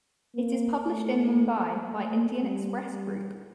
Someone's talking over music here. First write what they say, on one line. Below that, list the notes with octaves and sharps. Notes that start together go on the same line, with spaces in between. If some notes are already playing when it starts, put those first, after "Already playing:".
It is published in Mumbai by Indian Express Group.
A#3
A3
A3
G3
G3